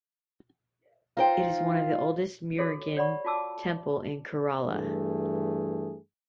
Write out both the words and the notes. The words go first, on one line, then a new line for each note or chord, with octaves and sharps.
It is one of the oldest Murugan temple in Kerala.
D#4 F4 C5 G5
F#4 G#4 A4 C#5
C#5 D5 F#5 B5 C#6
F4 F#4 A5 D6 E6
G2 E3 A3 G#4